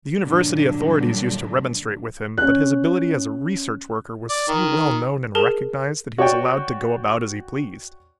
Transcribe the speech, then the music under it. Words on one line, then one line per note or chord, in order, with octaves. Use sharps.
The University authorities used to remonstrate with him, but his ability as a research worker was so well known and recognized that he was allowed to go about as he pleased.
G2 A#2 D3 F#3 D4
C#4 F#6
D5
D#3
G#4 A#4 A5
F#4 C#5 D5 G5